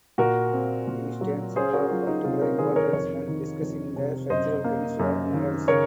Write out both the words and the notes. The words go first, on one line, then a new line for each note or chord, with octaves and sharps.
These terms are of particular importance when discussing the structural chemistry of minerals.
A#2 F#4 A#4
C4
A#2
F#3
C#4 G#4 C5
F#4 A#4
F#3 F4
D#4
C3 F4
A#4 C#5
D#3 G#4 C5
A#4 C#5
F2 A#4 C#5
D#3
F2
C3
F#2 C5 D#5
A#3
F#2
D#3
C#3 A#4 C#5